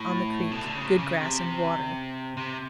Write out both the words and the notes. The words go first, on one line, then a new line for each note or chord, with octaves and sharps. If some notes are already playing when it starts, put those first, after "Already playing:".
On the Creek.--Good grass and water.
Already playing: A2
B2
D3
C#3
C3
C#3
C3
C3